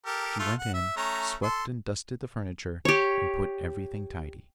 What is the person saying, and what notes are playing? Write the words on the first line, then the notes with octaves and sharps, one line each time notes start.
She went in, swept and dusted the furniture, and put everything tidy.
G4 A4 A#4
A3 F4 A4
F#5
E5
A3 C#4 A#5
A4 C6
G4 C#5